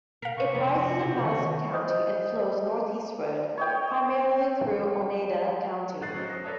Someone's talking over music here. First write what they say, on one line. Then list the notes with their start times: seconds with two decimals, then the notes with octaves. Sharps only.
It rises in Madison County and flows northeastward, primarily through Oneida County.
0.22 A#4 F5 B6
0.37 C3 C#6
0.55 F2 F3
0.78 F#4
0.99 C#3 G4 C5
1.25 D#3 C#4 F#4 C#5
1.73 C5 D#5 D#6 G6
3.57 C#5 D#5 G5
6.01 G1 A2 D#5 F#6 A6 C7
6.14 F#3 C#4 C5
6.30 D#6 A#6
6.44 A4 B4 C#5 D5 E5 A5